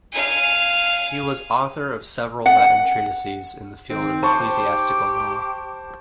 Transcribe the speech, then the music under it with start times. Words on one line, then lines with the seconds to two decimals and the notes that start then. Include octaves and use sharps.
He was author of several Latin treatises in the field of ecclesiastical law.
0.12 F5 G#5
2.46 F#5
3.90 D#3 C4
4.23 G4 C5 A5 C#6